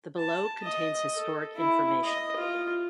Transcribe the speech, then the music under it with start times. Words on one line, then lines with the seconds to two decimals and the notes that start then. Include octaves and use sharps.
The below contains historic information.
0.17 A5
0.63 D#5
1.14 A4
1.56 E4
2.04 D#5
2.37 F4